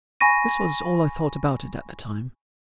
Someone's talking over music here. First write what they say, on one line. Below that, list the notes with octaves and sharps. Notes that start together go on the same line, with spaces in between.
This was all I thought about it, at the time.
G#5 B5 C#6 A#6 D#7